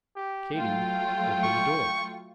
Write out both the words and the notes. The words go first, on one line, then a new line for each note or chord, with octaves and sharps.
Katy opened the door.
G4
F#3 A3 F4 G5
C#6